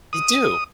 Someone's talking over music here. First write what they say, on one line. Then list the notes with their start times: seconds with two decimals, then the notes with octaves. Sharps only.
They do.
0.13 D#6